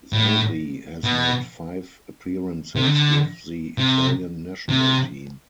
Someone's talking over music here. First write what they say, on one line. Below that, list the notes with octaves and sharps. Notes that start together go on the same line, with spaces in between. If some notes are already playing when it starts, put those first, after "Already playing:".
Zauri has made five appearances with the Italian national team.
A2
B2
C3
D3
C3
C3